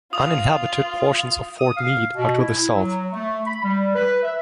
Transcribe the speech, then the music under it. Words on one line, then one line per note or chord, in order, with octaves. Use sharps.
Uninhabited portions of Fort Meade are to the south.
F4 D#6 F7
D#6
F5
B2
E4
F#3
A3
B5
G3
B4
E5